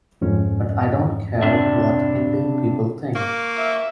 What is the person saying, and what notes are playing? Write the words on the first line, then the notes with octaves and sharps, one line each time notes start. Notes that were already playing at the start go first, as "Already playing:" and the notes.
But I don't care what 'indie people' think.
F2 G#2 C#4
C3 D4 E5
A#3 F5 C#6 D6
E5